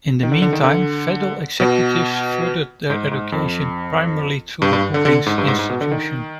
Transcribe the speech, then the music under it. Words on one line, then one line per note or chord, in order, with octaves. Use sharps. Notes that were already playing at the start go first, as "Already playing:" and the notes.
In the meantime, federal executives furthered their education primarily through the Brookings Institution.
D#3
D3
D3
D#3
D3
B2
G#2
G#2
F2
G2
G2
D3
D3
G#2
G2
G#2
G#2
B2
D3
D#3